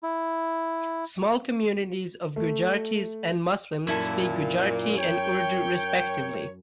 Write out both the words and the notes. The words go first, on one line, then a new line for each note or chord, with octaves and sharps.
Small communities of Gujaratis and Muslims speak Gujarati and Urdu respectively.
E4
A3
F#2 A#2 E4 A4
A#4 C#5 G5